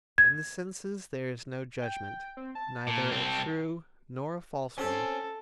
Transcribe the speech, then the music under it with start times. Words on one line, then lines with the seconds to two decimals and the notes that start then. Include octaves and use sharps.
In the senses there is no judgement--neither a true nor a false one.
0.18 G#6
1.81 G5
2.37 C4
2.55 A5
2.87 A#2
3.11 C2 C4
4.78 C4 C#4 A4